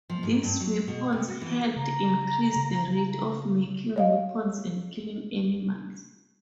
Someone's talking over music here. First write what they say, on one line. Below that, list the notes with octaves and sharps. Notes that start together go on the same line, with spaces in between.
These weapons helped increase the rate of making weapons and killing animals.
F3
G#2
G2
F#3
B2
C3
F#4
E3
C#3 A#5
C#3
C#5 D#5 F5